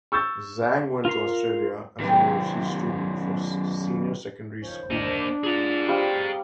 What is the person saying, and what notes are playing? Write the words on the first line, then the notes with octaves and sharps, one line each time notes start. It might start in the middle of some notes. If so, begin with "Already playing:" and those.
Zhang went to Australia as an overseas student for senior secondary school.
C#6 E6 G6 A6
F4 A#4 A#5 C6
F#2 C3 D#3 B3 G4
D#3 F3 C#4 C5
A#3 D4 D#5
F4 G#4 A#5
G3 C4 F5